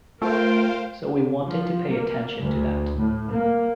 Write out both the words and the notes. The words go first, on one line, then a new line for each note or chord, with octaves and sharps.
So we wanted to pay attention to that.
A3 F4 A#4 C5 F5 G5
F3
A#3
D2
A2
A#3